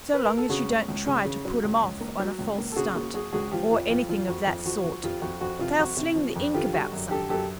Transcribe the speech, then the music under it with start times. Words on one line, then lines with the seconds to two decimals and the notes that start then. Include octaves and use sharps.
So long as you don't try to put 'em off on a false stunt, or anything of that sort, they'll sling the ink about some.
0.13 B4
0.25 A#4
0.38 A4
0.49 C#3 F#4 G#4
0.69 C#2
0.88 C#2
1.07 C#3
1.25 C#3
1.45 F#3
1.63 C#2
1.82 C#2
2.01 A#3
2.19 F#3
2.39 C#2
2.58 A#3
2.72 A4
2.76 C#3 F#4 G#4
2.95 A#3 F#4 G#4
3.14 F#3 F#4 G#4
3.33 C#2 F#4 G#4
3.51 F3 F4 G4
3.71 F2 F4
3.89 F2 F4
4.09 F3 F4
4.28 F2 F#4
4.46 F2 F4
4.66 F3 F#4
4.84 F3 F#4
5.03 F2 F4 G4
5.21 F2 F#4
5.41 F2 F#4
5.59 C3 F4
5.78 F2 F#4
5.97 C3
6.16 F3
6.36 F2
6.54 D3 F4 G4
6.73 G3 F#4
6.92 F#2
7.11 D3 G4 A4
7.29 F#2 G4 A4